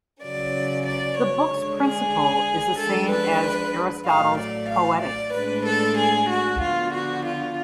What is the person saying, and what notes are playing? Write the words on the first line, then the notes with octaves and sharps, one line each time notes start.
The book's principle is the same as Aristotle's "Poetics".
C#3 F#3 C#4 D5
D5
C#5
D3 G#3 D4
G#4
F3 G#3 D4 A4
B4
A2 F#3 A3 F5
D5
F5
D5
A2 G#3 D4 B4
A4
G#4
F#4
D3 F3 B3 F4
F#4
F4